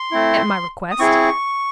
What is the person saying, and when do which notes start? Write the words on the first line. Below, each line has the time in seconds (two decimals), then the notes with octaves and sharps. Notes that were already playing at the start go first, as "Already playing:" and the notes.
At my request.
Already playing: C6
0.11 A3 C4 E4
0.91 D#6
0.99 C4 E4 G#4 C#6